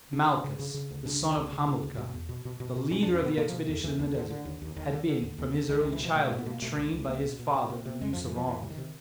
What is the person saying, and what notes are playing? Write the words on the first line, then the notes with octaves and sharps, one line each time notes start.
Malchus, the son of Hamilcar, the leader of the expedition in the desert, had been, from his early childhood, trained by his father in the use of arms.
C#3 D4
C#3
C#3
C#3
C#3
D2
C#3 D4
D2
D2
C#3
C#3
D2
B2
E2
B2
B2
B2
B2
B2 C#4
E2 D4
C#4
B2 B3
B2 A#3
B2 F3
E2
D#2 E3
D#2
D3
D3
D#2
D#2
D#2 D#3
D3
D3
D#2
D#2
D3
C#2 D#3
C#2 D#3
E3
B2 F3
B2 A3
B2 A3
B3
B2 A#3
B2 A3
C#2
C#2
C#2 A#3
B2
B2
C3
C3
C3
F2 G#3
F2 F3
E3
C3 F3
F2 E3
C3
D#3
C3